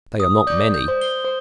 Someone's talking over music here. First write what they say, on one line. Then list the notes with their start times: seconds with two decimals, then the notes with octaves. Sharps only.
They are not many.
0.20 D#6
0.47 D5 G6
0.74 G6
0.88 C5
1.01 G7
1.24 C5